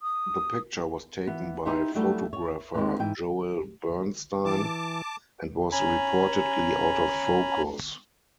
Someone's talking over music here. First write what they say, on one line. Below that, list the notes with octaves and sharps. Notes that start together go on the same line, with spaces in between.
The picture was taken by photographer Joel Bernstein and was reportedly out of focus.
D#6
E3 B3
D#4 E4 G4 C5 E5
F#3 G3 A3 D4 E4 F#4
C#5
D#3 G#3 A#3 C4 F4 B4
G#2 E3 G5
E3 A5 D6
C#4 G#5 A#5 B5